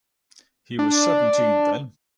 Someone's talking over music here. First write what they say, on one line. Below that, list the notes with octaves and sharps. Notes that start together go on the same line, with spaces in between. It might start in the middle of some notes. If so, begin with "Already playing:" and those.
He was seventeen then.
D4